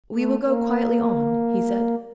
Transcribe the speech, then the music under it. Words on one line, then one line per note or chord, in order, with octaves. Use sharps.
"We will go quietly on," he said.
A3
A#3